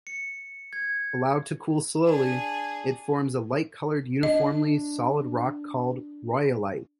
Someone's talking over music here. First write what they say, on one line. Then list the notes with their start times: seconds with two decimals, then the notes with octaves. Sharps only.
Allowed to cool slowly, it forms a light-colored, uniformly solid rock called rhyolite.
0.07 C#7
0.73 G#6
2.04 D4 G#4
4.23 D4 D#5